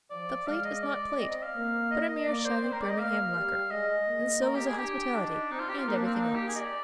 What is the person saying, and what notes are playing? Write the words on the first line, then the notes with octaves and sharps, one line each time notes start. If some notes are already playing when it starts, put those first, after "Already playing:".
The plate is not plate, but a mere shiny Birmingham lacquer; and so is the hospitality, and everything else.
F3 D5
G#3 F5
D#5
D5
C4 D#5
D#5
F5
A#3
D#5
D#5
A#3 D5
C5
C4 C5
A#4
D5
D#5
A#3 F5
G3
G#3 D#5
A#3
A#4
G4
G#4
D4 G4
D4 D#4
C4 D#4
F4
G4
F4
A#3 D#4
D4
C4
D4
D#4
G4
G#4
D#5
D5